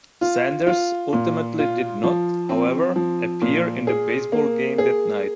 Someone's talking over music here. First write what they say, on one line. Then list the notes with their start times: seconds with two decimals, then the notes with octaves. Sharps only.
Sanders ultimately did not, however, appear in the baseball game that night.
0.21 F4
0.67 F4
1.13 A#2
1.59 F4
2.03 F3
2.49 C4
2.96 F3
3.42 A#2
3.87 G#4
4.32 A#3
4.78 G#4